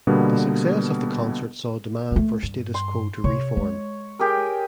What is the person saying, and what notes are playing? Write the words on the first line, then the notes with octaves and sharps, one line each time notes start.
The success of the concert saw demand for Status Quo to reform.
B2 D3 G3 A#3 B3
A3 A#3
G2
C6
C3 C#5
G#3
G4 G#4 A#4